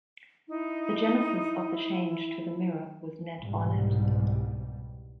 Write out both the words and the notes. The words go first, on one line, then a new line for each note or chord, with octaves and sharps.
The genesis of the change to The Mirror, was Ned Barnett.
D#4 E4
C2 G#2 B2 G3